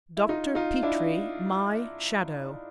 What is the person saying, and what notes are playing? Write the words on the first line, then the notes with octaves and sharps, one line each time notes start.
Dr. Petrie--my shadow...
E4
D#4 F4
D#4 F4
D4 E4